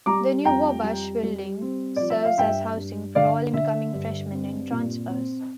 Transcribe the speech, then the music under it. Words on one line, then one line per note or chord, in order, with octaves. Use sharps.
The new Wabash building serves as housing for all incoming freshmen and transfers.
G3 A#5 D6
F2 G5 A#5
G3
G3
C4
F3 D5
E5
F5
G2 E5 G5
G2
D3 D5 F5
D3 E5
G2
C4
A#2
C4